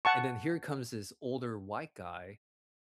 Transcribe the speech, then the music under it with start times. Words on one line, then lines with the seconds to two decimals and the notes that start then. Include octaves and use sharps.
and then here comes this older white guy
0.05 F#5 A5 C#6